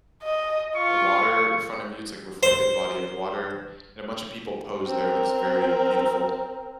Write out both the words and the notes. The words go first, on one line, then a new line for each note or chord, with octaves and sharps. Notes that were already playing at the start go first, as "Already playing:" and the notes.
water in front of you it's, like, reflected body of water, and a bunch a people pose there, it looks very beautiful.
D#5
F4 C#6
C5
C4 A#4